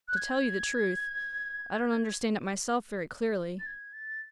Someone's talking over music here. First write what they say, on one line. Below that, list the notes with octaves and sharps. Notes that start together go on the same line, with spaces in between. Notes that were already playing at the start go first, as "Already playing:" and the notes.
To tell you the truth, I don't understand it myself very clearly.
F#6
G#6
A6
G#6
A6